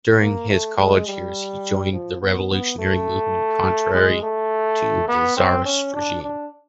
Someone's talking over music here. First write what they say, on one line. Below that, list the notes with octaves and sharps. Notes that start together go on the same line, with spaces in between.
During his college years he joined the revolutionary movement contrary to the tsarist regime.
A#3
A3
G#3
G3
F3
B3
B3
A3
G#3
A3
B3
C4
C#4
D4
D4